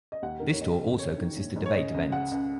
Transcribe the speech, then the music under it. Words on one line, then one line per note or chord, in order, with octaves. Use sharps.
This tour also consisted of eight events.
D#5
D#2 F#5
D#3 A#4
C#5
F#1 D#5
F#1
F#1 C#5
D#3
A#1
G#2
C#5
C#3 D#5
C#2
C#3 F#5
C#2